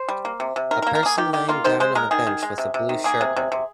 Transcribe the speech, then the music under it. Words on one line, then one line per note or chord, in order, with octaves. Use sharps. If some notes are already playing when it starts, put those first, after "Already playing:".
A person laying down on a bench with a blue shirt on.
Already playing: C5
G3
A#3
C3
C3
D#3 A#4
A#4
A#3
A#4
A#3 G#4
D#3 G4
D#3 G4
A#3 F4
D#3 C5
G#3 C5
G#3 A#4
D#3 G#4
D#3
G#3
C3
C3
D#3
A#3 G#4
C3
C3
C3